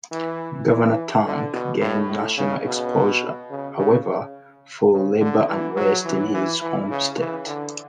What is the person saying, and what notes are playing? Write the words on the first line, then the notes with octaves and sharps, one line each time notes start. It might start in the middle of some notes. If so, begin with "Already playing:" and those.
Governor Tuck gained national exposure, however, for labor unrest in his home state.
E3
E3
D3
B2
A2
A2
C#3
B2
C#3
C#3
C#3
D3
E3
F#3
E3
E3
E3
C#3
E3
D3